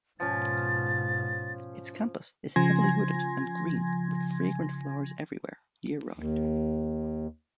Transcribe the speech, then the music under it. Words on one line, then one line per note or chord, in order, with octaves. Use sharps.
Its campus is heavily wooded and green, with fragrant flowers everywhere year-round.
G#2 B2 F3 C#4 A6
C#3 F3 G#5 C6 G#6 A#6
D#2